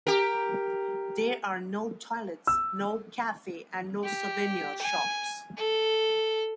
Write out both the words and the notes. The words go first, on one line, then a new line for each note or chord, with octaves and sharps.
There are no toilets, no cafe and no souvenir shops.
G4 A#4
E6
G4
G#5
A4